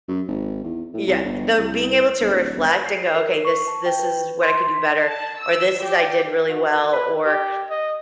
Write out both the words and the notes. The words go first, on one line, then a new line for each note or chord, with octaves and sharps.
Yeah. The Being able to reflect, and go, "Okay, this this is 'What I could do better,' or this is 'I did really well,' or,
F#2
G#1
E2
A2
C2
G1
C2
G1
D1
G1
C7
A#4
C7
C#6
A5
G5
B4
C6
B6
A5
E6
G4
F#4
B4
G4
D#5